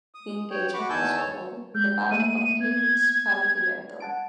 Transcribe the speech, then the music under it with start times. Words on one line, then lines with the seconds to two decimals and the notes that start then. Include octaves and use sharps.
The engagement was called the Battle of Cape Spartivento.
0.15 D#6
0.50 C#5 G5
0.74 F#4 B5 C#6 D6
0.90 E2 D#3 G#5 A5 E6 G6
1.18 C#5
1.75 G#3 G6
2.11 A3 A#3 E5 D#7
2.60 B3 G#6
4.00 F#5 A5 D7